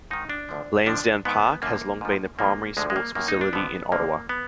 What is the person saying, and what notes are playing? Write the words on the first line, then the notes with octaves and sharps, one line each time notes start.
Lansdowne Park has long been the primary sports facility in Ottawa.
G#2 D#3 D#4
D4
D2 D3 F3
F2 D3 F3 D4
G#2 D#3 B3
F#2 D3 F3 A#3
G#2 F3
G#2 F3 A#3
D2 D3 F3 G#3
G#3
A#3
F#2 D#3 A#3
D#4
D4
F2 D3 F3 B3
D2 D3 F3 A#3
B3